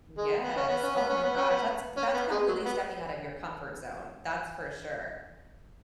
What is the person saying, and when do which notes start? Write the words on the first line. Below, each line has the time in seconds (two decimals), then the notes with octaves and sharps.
Yes. Oh my gosh. That's that's completely stepping out of your comfort zone. That's for sure.
0.18 G#3
0.43 B3
0.56 C#4
0.69 B3
0.83 C#4
0.96 B3
1.10 C#4
1.24 B3
1.37 C#4
1.50 B3
1.97 C#4
2.14 B3
2.31 G#3
2.48 F#3
2.66 B3